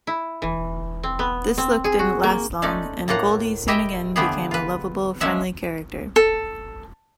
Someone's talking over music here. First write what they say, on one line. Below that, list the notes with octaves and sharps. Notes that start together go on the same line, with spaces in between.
This look didn't last long, and Goldy soon again became a lovable, friendly character.
E4
E3
C4
B3
C4
G#4
F#4
A#3
G#3 A3 C#4 D#4 D5
A2 A#3 F4 F#5 A#5
E4 G4 D#5 E5 G5
D3 E3 F3 B3 G4 G#4
F4 B4
F3 G#3 C#4 E5 F#5
A4